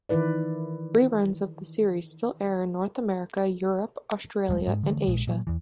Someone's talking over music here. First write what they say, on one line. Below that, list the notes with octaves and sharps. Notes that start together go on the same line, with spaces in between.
Re-runs of the series still air in North America, Europe, Australia and Asia.
D#3 E3 E4 B4 D5
D#1 G3 G#3
G#2 G#3
D3 E3 A3
A#1 A#2 G#3
A#2 F#3
E2 E3